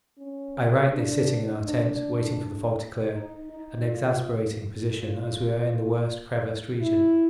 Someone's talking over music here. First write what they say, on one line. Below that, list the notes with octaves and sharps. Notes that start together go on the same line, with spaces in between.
'I write this sitting in our tent waiting for the fog to clear--an exasperating position as we are in the worst crevassed region.
C#4
D4
D4
D#4
D#4
F4
F4
E4